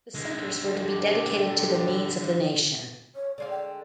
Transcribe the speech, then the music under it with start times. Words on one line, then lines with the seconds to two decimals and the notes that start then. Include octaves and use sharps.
The centres were to be dedicated to the needs of the nation.
0.15 D3 G#3
0.69 G4 A4 D5
3.16 C#5
3.38 D3 G#3 D5 F5
3.50 G5